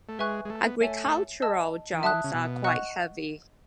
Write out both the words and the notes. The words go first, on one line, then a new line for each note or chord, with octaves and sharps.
Agricultural jobs are quite heavy.
A3
G#3 B4 E5 G#5 C#6 F#6
G#3
A3
B3
A3 C#5 E5 G#5
D#5 A5 E6
E3
F#3 E5 A5 D#6 F#6
E3
C#3
B2
D#5 F#5 C#6 F#6